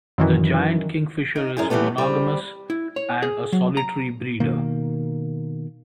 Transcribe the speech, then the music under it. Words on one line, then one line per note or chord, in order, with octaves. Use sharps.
The giant kingfisher is monogamous and a solitary breeder.
F#2 D#3 E3
D#4
F#2 E4 G#4
E3 F3 G3 A3 B3
G3 C4
E4
C#5
G#4
F#3
A#5
B2 D#3 A#3